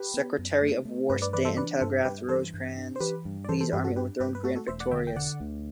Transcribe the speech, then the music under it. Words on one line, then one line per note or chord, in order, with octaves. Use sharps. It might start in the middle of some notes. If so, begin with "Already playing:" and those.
Secretary Of War Stanton telegraphed Rosecrans, Lee's Army overthrown; Grant victorious.
Already playing: G4 B4
B3
F#2
A3
A3
G2 G4 B4
B4 D5
E3 B4 D5
A4 C5
D4 B4 D5
G2 A4 C5
G2 G4 B4
E3 A4 C5
G2
D4
C5
E3 G4 B4
G2
D5
E3 A4 C5
A4 C5
G2 G4 B4
F#4 A4
D4 G4 B4
G2 G4 B4
B4
A3 F#4 A4
F#4 A4
E1 C5 E5
D5 F#5
D3 E5 G5
G5
D3 D5 F#5
D2